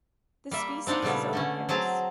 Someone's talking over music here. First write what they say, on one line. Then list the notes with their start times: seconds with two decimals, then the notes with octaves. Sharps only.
The species is oviparous.
0.51 G3 A#3 E5
0.87 C4 D4 D#4 F5 F#5
1.02 A#2 C#3 G3 A3 B3
1.33 D3 A3 C#4
1.69 F#3 C4 G#4 A5 A#5